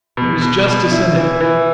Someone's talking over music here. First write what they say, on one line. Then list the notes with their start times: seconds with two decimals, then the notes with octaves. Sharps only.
There is justice in it.
0.17 B2
0.42 B2
0.66 B2
0.92 E4
1.16 E3
1.40 E3